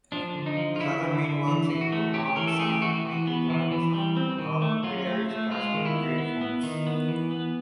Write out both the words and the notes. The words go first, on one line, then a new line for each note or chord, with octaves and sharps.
His other main works include Mont Saint-Michel, Carcassonne, Roquetaillade castle and Pierrefonds.
F3 D4
D3
D#4
F3
F4
D3 E4
D3
D3
E3
E3
F#4
A3
C#4 G4
E3 A#4
A4
A3 G#4
G4
E3 F#4
E3
B3
E3
E3
G3
C4
D#3
A3
F#3 F4
A3
A3
G#3 F4
D#3
E4
B3
B3
B3
D#3
B3
E3
B3